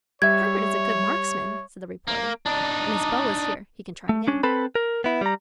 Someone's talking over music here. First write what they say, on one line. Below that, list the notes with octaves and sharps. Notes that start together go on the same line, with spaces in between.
"Herbert is a good marksman," said the reporter, "and his bow is here. He can try again."
G3 C#5 E5 G#6
A#3
D4 D#4
A3
C#4 D4
C4 A4 B4 B5
A#4
B3 E4
G3 A#5